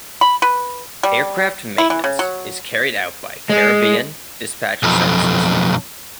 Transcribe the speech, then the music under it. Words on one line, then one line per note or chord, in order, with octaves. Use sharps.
Aircraft maintenance is carried out by Caribbean Dispatch Services.
B5
B4
G3
E4
E3
C#3
F#3
G#3
B1 F2